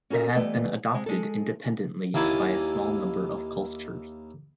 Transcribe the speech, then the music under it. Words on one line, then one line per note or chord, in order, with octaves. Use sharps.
It has been adopted independently by a small number of cultures.
C#4 F#4 A4 A#4 D#5
E3 G3 A3 B3 D#5
C3 G#3
G#3 A4
D#2 A#3 E4 G#5 A5